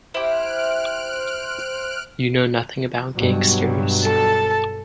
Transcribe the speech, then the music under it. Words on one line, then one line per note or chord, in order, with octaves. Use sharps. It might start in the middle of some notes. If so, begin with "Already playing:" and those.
You know nothing about gangsters.
E4 G4 C5 F6 F#6 D7
G2 B2 F#3
A4 A5